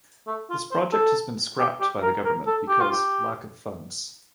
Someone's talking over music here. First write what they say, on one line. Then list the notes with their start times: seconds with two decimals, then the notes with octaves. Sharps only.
This project has been scrapped by the government because lack of funds.
0.27 A3
0.50 F4
0.71 C5
0.93 A4
1.59 G4
1.81 G4
2.03 A#4
2.25 A#4
2.47 A4
2.69 G4
2.81 F4
2.92 G4